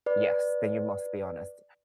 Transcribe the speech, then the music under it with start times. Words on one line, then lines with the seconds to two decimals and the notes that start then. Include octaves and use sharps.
Yes, then you must be honest.
0.06 B4 D5